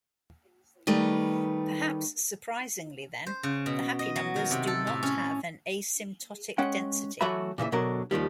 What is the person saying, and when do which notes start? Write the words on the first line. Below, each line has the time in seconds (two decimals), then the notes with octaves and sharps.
Perhaps surprisingly, then, the happy numbers do not have an asymptotic density.
0.87 D#3 G3 A3 B4
3.26 C5
3.43 C#3
3.66 B2
3.99 D#5
4.16 F#3
4.36 D#3
4.51 C3
4.67 A4
4.87 A2
5.03 C#4
6.58 G#3 C#4 F#5 G5
7.21 E3 F#3 A3 F#4 E5 B5
7.58 A#2 C#3 E3 E5
7.72 B2 D3 F#3 A#4
8.11 D#2 D#3 F3 G3